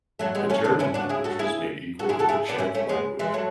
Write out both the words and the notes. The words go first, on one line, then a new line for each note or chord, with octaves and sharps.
The German language was made equal to the Czech language.
F#3 A3
G#3 B3
A3 C#4
B3 D4
C#4 E4
D4 F#4
E4 G#4
F#4 A4
E4 G#4
F#4 A4
E4 G#4
F#4 A4
E4 G#4
B3 D4
C#4 E4
A3 C#4
G#3 B3
E3 G#3
F#3 A3